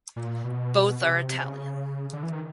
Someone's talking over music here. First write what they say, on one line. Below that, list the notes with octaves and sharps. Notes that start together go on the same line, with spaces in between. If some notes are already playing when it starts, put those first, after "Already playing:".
Both are Italian.
A#2
B2
C3
C3
C#3
D3
E3
D#3